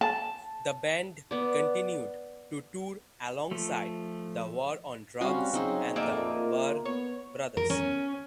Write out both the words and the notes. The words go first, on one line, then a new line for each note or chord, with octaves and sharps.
The band continued to tour alongside The War on Drugs and The Barr Brothers.
A5
B3 D5
F3 A3
G3 C4 C#4 F#4 F5
C#3 F#3 C4 D#4 G#4
F2 A#2 A#3 D#4 D5 E5
F4 A#4
B3 C#5
A#4
C#4